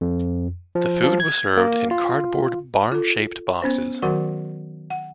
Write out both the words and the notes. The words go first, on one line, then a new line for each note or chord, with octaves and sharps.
The food was served in cardboard barn-shaped boxes.
F2
F3
F3
G#6
A#3
F4
F4 A4
B3 C#4 C5
D#3 F#3 F#4 A#4 F#5
F#5